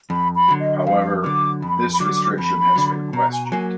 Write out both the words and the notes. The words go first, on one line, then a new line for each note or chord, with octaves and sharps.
However, this restriction has been questioned.
F2 B5
B5
D3 F#3
D#5
D#5
F2 F5
D3 F#3 D6
F2 B5
B5
D3 F#3 D6
F2 B5
D3 F#3
B2 A#5
G#5
A#5
F#3 A#3 G#5